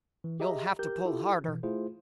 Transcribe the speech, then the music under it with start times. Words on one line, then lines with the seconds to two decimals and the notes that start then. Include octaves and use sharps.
"You'll have to pull harder."
0.24 E3
0.40 G4 G#4 D#5 E5 A#5
0.79 G4 A#4 G6
1.05 E4 F4 G4 A4
1.44 B2 E3
1.63 A3 E4 F4 G#4 C5